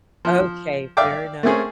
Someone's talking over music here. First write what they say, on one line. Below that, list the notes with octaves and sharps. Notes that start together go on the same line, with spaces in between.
Okay, fair enough.
F3
D5 E5 F5 G5 D6
A3 A#3 C4 C#4 G#4